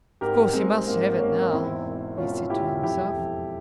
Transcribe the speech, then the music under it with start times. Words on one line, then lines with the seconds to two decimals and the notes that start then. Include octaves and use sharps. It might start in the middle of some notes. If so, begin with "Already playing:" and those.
"Of course he must have it now," he said to himself.
0.21 G#1 G4 A#4
0.53 G#1 G#3 C4
0.87 G#1 A#3
1.19 G#1 A#3 C#4
1.52 E2 C4 E4
1.84 E1
2.17 E1 C#4 F4
2.50 E1 E4 G4
2.83 F2 E4 G4
3.16 F2